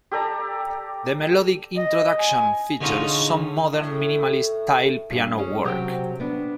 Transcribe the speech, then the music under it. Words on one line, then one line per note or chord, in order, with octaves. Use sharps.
The melodic introduction features some modern minimalist style piano work.
G4 A4 D5 A#5
D#5
G#5
D3 G#3 C#4 D#4 F4
A2
G2 G#4 G#5
C#4 G#4
C3 F#3 G4 A4 C5 G5
B3 D4